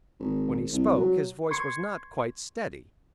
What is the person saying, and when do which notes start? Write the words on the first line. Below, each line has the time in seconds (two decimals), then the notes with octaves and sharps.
When he spoke his voice was not quite steady.
0.20 G#1
0.72 C2
0.95 F#3
1.51 C6 C#6 G#6 C7 C#7